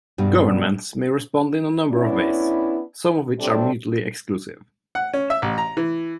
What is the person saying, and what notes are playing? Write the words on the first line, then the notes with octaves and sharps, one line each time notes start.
Governments may respond in a number of ways, some of which are mutually exclusive.
G2 B2 G3
B3 C#4 D4 E4
C3 F#3 G3 C4 D4 A4
F#5
C#4
E5
A1
A#5
E3